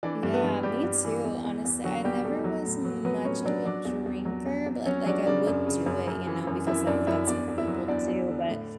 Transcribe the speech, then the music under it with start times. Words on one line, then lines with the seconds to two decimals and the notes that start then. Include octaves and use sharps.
Yeah, me too. Honestly, I never was much of a drinker, but, uh, like, I would do it, you know, because I've that's what people do, but
0.03 E3 D4 D5
0.23 G2
0.33 B3 B4
0.44 G2
0.63 G2 G3 G4
0.84 G2
1.05 E3
1.24 E2
1.44 E2
1.65 E2
1.84 D3 F#3 F#4
2.04 E2 G3 G4
2.25 E2 A3 A4
2.44 F#3
2.66 A2
2.85 F#3
3.05 F#3 B3 B4
3.25 A2 C#4 C#5
3.45 F#3 D4 D5
3.65 F#3 D4 D5
3.85 E2
4.06 E2
4.25 F#3
4.46 E2
4.66 E2
4.86 F#3 C#4 C#5
5.06 F#3 D4 D5
5.26 C#3 D4 D5
5.47 F#2
5.67 C#3
5.86 F#2
6.07 F#2
6.27 E3
6.47 F#2
6.67 F#2 E4 E5
6.87 F#2 D4 D5
7.07 F#2 E4 E5
7.27 E2 D4 D5
7.48 E2
7.58 E4 E5
7.67 F#3
7.88 E2 D4 D5
8.08 E2
8.28 D3
8.49 A2